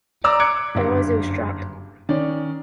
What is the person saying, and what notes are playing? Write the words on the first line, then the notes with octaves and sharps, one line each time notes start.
Otherwise, it was dropped.
D5 A#5 D6 E6
D6 F#6 G#6 C#7 D7
F#1 G2 D3
D#3 C#4 D5